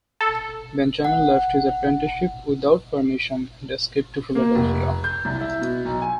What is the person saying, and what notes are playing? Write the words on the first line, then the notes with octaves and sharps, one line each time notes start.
Benjamin left his apprenticeship without permission and escaped to Philadelphia.
A4
F#5
A#3
F1
G6
C2
E4
B2
B1
G#5